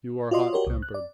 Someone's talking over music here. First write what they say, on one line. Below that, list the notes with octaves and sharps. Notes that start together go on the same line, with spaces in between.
"You are hot-tempered."
F4 F#4 D5 D#5 C6
F#4 G4 A#4 C#5
C2
F#6
D5